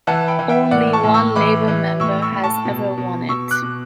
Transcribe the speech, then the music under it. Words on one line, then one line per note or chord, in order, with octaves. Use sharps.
Only one Labor member has ever won it.
E3 F#5 A5
G5 B5
E3
E5 G5
A2 D5 F#5
A5 C#6
A2
C#6 E6
E3 B5 D6
E3
A2 C#6 E6
C#6 E6
A2
A5 C#6
B2
B2
B2 C#6 E6
D6 F#6
B2